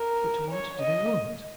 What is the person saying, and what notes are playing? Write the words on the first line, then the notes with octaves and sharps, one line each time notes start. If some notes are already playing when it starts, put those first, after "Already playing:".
"But what do they want?"
Already playing: A#4
C#5
D#5